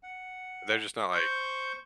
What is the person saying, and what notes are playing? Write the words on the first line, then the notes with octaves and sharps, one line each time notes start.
They're just not, like,
F#5
C5 C#6 G6